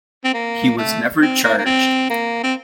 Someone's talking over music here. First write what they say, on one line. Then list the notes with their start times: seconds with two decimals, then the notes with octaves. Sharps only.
He was never charged.
0.24 C4
0.34 A#3
0.78 A3
1.21 C4
1.44 A#3
1.57 A#3
1.65 C4
2.10 A#3
2.44 C4